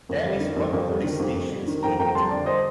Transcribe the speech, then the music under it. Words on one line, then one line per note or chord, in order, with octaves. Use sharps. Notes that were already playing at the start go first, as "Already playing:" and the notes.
There is one police stations in the town.
F2
G3
D#3
F2
F2
G3
D#3
F2
F2
G3
D#3
F2 G5 A#5
F2 G5 A#5
G3 A5 C6
D3 D5
C5 D#5